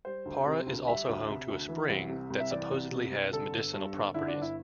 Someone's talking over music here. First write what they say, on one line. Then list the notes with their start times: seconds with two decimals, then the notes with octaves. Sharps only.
Para is also home to a spring that supposedly has medicinal properties.
0.05 G3 C5
0.25 D2
0.46 C3
0.66 D2
0.87 G3 E5
1.08 D2
1.28 C3
1.48 D2
1.68 E3
1.89 C2
2.09 C3
2.30 C2
2.40 E5
2.50 E3 D5
2.71 C2
2.91 C3
3.12 C2
3.33 D3 A4
3.53 G1
3.73 G2
3.94 G1
4.14 D3 E4
4.28 D4
4.34 G1
4.42 E4